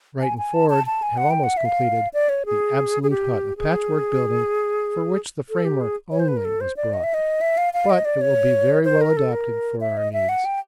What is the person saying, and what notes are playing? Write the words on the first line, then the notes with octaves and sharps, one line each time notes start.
Wright and Forde have almost completed the absolute hut, a patchwork building for which the framework only was brought--but it will be very well adapted for our needs.
G#5
G#5
A5
A5
A5
G#5
F#5
G5
F#5
E5
F5
D5
C#5
G#4
G#4
G4
G#4
A4
G4
G#4
C#5
C5
B4
A#4
A4
C5
D5
D#5
E5
D#5
E5
F5
F5
D#5
D5
C#5
C5
A#4
A4
A#4
E5
D#5
E5
F#5
G5